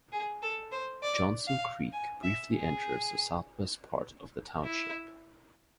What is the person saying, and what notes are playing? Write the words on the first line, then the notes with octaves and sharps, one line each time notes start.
Johnson Creek briefly enters the southwest part of the township.
G#4
A4
C5
D5
F5
G#5
E5
G#4
E4